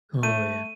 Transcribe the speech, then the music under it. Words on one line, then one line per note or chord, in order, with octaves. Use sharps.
Oh, yeah.
A3 D#7